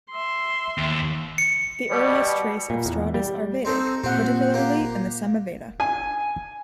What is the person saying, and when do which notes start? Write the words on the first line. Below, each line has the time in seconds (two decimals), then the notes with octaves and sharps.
The earliest trace of Stotras are Vedic, particularly in the Samaveda.
0.11 E5 C6
0.78 D#2
1.38 C#7
1.90 B2 G3
2.70 A#2
2.86 E2
3.14 G3
3.65 C4 D#4 A4
4.04 A#2 C4 G4 F#5
4.54 A#3 G4
5.80 G#5